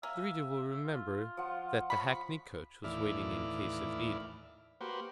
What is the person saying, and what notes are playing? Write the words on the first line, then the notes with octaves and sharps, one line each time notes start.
The reader will remember that the hackney-coach was waiting in case of need.
A#3 E5 G#5
F4
F3 F#5
B5 C#6
D#2 A2 E3 E4 D5 F6
A#3 F#4 G4 B4 C5